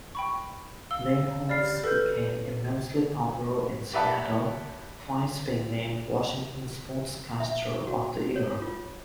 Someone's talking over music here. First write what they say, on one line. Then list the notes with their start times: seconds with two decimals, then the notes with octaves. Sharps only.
Niehaus became immensely popular in Seattle, twice being named Washington Sportscaster of the Year.
0.15 G5 B5 C#6
0.91 F5 E6 G7
1.49 G4 D5 B5 F6 A6 C7
1.84 A4 B4 F6 G6
3.93 G4 B4 D5 E5 F#5 A5
7.40 E5
7.87 F#4
8.36 C#5
8.62 F4